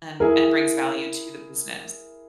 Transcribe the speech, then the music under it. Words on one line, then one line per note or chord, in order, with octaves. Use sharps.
and and brings value to the business.
E4 G#4 A#4